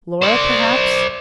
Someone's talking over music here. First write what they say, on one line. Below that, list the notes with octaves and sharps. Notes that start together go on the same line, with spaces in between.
Laura perhaps....'
C5 D5